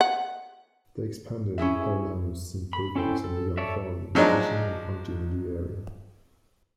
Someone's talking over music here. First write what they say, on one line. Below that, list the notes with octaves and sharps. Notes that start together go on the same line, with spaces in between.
They expanded Paulhamus' improvements and began farming, fishing and hunting in the area.
F#5
C#4 E4 G#4 E5
B5
C#4 E4 A4 C5 G5
A4
A4 C#5 D5 E5
F3 F#3 G#3 D4 D#4